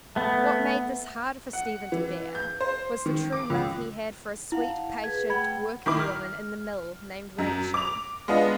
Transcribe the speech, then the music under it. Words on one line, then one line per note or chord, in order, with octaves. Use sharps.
What made this harder for Stephen to bear was the true love he had for a sweet, patient, working woman in the mill named Rachel.
A3 B3
F#5
E3
G6
C5
D#3
D6
C#2
E4 F5 F#5 A5
G#4 B4 G#6
A3 F#5 G5 B5 G#6
D#3 E4 D6
F6
F#2
D6 F7
G#3 B3 D4 F4 D#5